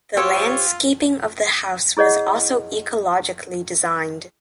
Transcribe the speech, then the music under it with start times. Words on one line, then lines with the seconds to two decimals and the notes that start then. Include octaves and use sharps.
The landscaping of the house was also ecologically designed.
0.17 F4 G4 C5 C#5 F5 E6
1.97 E4 G#4 C#5 D#5 F#5